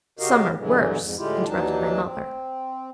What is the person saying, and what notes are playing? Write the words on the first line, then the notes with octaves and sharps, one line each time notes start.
'Some are worse,' interrupted my mother.
C#3 F#4 G4 A#4 D#5 F5
G2 B2 D3 E3 F#3 G#3
F2 G#2
A2 D3 G#3 E4 F4 G4
D#2 E3 F#3 D4 D#4 A5
C4